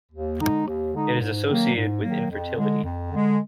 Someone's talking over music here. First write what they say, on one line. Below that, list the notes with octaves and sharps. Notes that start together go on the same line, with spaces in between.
It is associated with infertility.
D#2
D3 G#3 D#4
D#2
D3 G#3 D#4
G#2
D#3 F#3 A#3
G#2
D#3 F#3 A#3
F2
D3 G#3
F2
D3 G#3